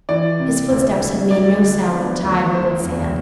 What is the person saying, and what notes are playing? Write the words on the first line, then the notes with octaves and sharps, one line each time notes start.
His footsteps had made no sound on the tide-rippled sand.
E3 D5
C3
D2
D2
F#3 D5
D3
B3
D2
D3 C5
E2